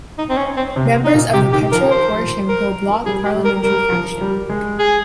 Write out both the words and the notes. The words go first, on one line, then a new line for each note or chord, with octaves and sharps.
Member of the Petro Poroshenko Bloc parliamentary faction.
D#4
C4
C#4
C4
C3
D#4
A#2
C3 G4
D#3 G4
F3 A#4
C5
A#4
G3 G#4
G4
G3
A#4
G3 A#4
F3
G3
G#3
G#4